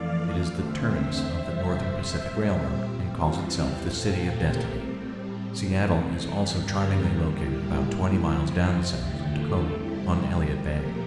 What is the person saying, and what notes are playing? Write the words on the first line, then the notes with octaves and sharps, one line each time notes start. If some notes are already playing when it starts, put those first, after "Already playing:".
It is the terminus of the Northern Pacific Railroad, and calls itself the "City of Destiny." Seattle is also charmingly located about twenty miles down the Sound from Tacoma, on Elliott Bay.
Already playing: F2 E3 A3 D5 F5
E2 D3 A3 C4 C5 E5
F2 C3 G3 C5 E5
A#2 G3 C4
E2 E3 G3 C4 F4
E4 G4
A#2 A3 C4 F4 A4
G4 A#4
A2 G3 C4
C3 E3 A3 C4
G2 D3 G3 C4 G4 A#4
A2 G3 A#3 E4 G4
F2 C3 F3 C4 E4
F4
E2 D3 A3 E4 G4
F4 A4
C3 G3 C4 E4 G4
A#2 F3 A3 G4 A#4